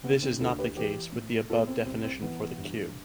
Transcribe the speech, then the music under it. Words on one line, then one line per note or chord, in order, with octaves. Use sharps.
This is not the case with the above definition for the cube.
D3 B3
C4
D2 F4 A4
G4 B4
E3 G4 B4
A2
B2 F4 A4
C4
C2 C4
C4
E3 B3
G2